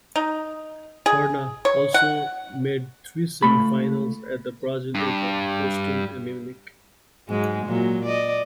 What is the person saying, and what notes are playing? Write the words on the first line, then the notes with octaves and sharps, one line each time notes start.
Horna also made three semi finals at the Brazil Open, Houston and Munich.
D#4
G#4
C#5
F#5
C#2 A3 B5
G2
G#2 F#3 G#3
A#2 F#3
D5 D#5